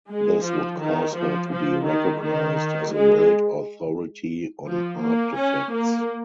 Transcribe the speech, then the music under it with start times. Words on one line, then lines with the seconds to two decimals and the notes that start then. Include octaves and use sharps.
This would cause her to be recognized as a world authority on heart defects.
0.10 G#3
0.45 F3
0.80 D#3
1.16 F3
1.51 F3
1.86 D#3
2.21 D#3
2.92 G#3
4.67 F3
5.03 A#3
5.37 C#4
5.73 A#3